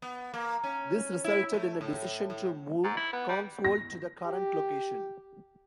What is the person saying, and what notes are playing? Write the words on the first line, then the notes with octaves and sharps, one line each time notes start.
This resulted in a decision to move Kongsvold to the current location.
B3
A#3
C#4
E4
A3
A2
A2
G#2
E4
B3
G3
A#6
G4